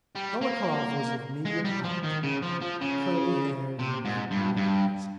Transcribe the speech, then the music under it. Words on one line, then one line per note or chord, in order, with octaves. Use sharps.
Dolokhov was of medium height, with curly hair and light-blue eyes.
G3
A#3
G#3
G3
F3
D#3
C#3
F3
F3
C#3
C3
G#2
G2
G2